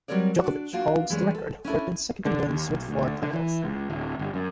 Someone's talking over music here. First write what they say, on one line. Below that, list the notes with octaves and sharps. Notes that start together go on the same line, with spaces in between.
Djokovic holds the record for consecutive wins with four titles.
F#3 G3 C4 A#4 C#5 D5
D4 F#4
A#3 D4 F4 F#4
E3 G3 G#3 A#3 C#4
A4
C#4 D4 E4 A4
D3
D#2
B1
D2
D3
E3
C#2
D1
G1
F#2